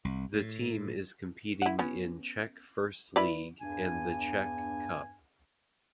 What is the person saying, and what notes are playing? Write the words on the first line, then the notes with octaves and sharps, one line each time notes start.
The team is competing in Czech First League and the Czech Cup.
C2
A2
E4 F#5
B3 C#4
E4 B4 D5
E2 G2 B3 D4 G#5